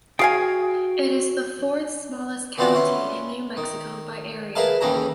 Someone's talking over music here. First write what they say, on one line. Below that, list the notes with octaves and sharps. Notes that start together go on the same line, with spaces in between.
It is the fourth-smallest county in New Mexico by area.
F#4 G#4 F5 G5 G#5
E3 B3 C4 D4 F4 F#4
C#4 E4 F4
D#3
G#4 A#4 B4 E5 F5 A5
D#2 C#3 E3 A4 G5 A#5